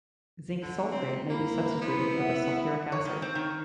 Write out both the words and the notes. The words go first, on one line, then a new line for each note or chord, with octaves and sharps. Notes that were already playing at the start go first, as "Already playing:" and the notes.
Zinc sulfate may be substituted for the sulfuric acid.
D3
C4
A#3 E4
B3 E4 C5
E5 F#5
C#5
D#3
C4
D#3